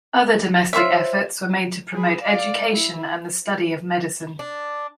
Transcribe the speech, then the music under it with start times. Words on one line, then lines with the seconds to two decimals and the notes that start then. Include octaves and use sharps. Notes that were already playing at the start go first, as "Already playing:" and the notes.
Other domestic efforts were made to promote education and the study of medicine.
0.73 F4 C5 C#5 E5
1.93 G#4 B5
2.22 D5 F5
2.74 E4
4.39 D4